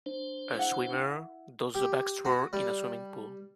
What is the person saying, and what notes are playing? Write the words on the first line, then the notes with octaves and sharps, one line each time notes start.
A swimmer does the backstroke in a swimming pool.
D4 C5
E4 F#5
G4
F#4
G3